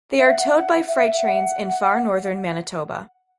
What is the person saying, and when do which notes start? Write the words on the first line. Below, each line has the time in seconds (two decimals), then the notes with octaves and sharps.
They are towed by freight trains in far northern Manitoba.
0.18 E5
0.29 F#5
0.59 F#5
0.88 E5
1.06 E5
1.17 F#5